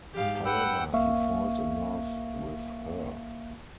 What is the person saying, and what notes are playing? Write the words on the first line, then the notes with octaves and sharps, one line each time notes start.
However, he falls in love with her.
G#2 G4 F5
B4 F#5 G5 E6
B1 A#3 E5 F5 C#6